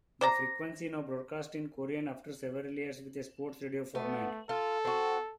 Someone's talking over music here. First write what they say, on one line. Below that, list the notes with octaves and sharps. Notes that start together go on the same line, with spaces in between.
The frequency now broadcast in Korean after several years with a sports radio format.
C5 D5 A#5
A3 B3
F4 A4
C4 F#4